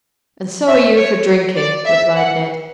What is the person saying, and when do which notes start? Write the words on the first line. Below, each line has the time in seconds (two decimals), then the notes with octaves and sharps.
"And so are you for drinking," replied Ned.
0.67 E5
0.97 C#5
1.56 D5
1.86 E5
2.16 F#5